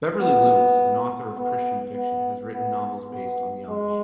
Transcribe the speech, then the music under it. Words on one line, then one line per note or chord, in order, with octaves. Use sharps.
Beverly Lewis, an author of Christian fiction, has written novels based on the Amish.
B3
B3
B3
B3
B3
G#3